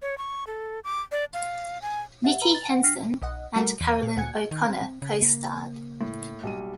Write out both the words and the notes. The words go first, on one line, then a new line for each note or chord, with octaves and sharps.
Nicky Henson and Caroline O'Connor costarred.
C#5
C#6
A4
D6
D5
F5
G#5
G4 E5 F#5
B4 A#5 B5 D#7 F#7
A6
F#5
D4 G5 F6 A#6 C7
B1 D#5 F#5
G3 A3 F#4 A#4
E2 D#7
A#2
D2 A#2 F#5 G#5 G#6 C#7
D#3
C4
C#3
A#3
A2
B1 G3 D#7